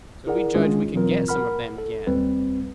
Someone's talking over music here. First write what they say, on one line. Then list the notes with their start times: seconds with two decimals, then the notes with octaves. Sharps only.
So we judged we could get some of them again.
0.27 E4 G#4 A#4 D5 F#5
0.55 D#3 G#3 C#4 D4 F4 G#4
0.94 B2 E3 F#3 C4 F4 A#4
1.28 A#4 F#5 B5 F6
1.78 A4
2.07 D#2 G3 C4 B4